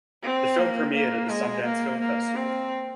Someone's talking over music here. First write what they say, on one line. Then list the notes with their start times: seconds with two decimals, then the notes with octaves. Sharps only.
The film premiered at the Sundance Film Festival.
0.23 C4
0.59 A#3
0.94 A#3
1.29 G#3
1.64 A#3
2.00 A#3
2.36 C4